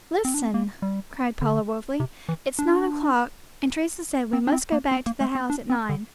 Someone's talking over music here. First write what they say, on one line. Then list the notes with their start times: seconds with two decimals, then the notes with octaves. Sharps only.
"Listen," cried Paula, woefully, "it's nine o'clock, and Teresa said we must go back to the house at nine."
0.25 C4
0.34 D4
0.43 C4
0.54 A#3
0.82 G3
1.42 D3
2.00 C3
2.29 E3
2.59 D4
4.33 C4
4.47 D4
4.52 C4
4.72 A#3
4.91 C4
5.06 A#3
5.21 A3
5.35 C4
5.50 D4
5.70 C4
5.89 D3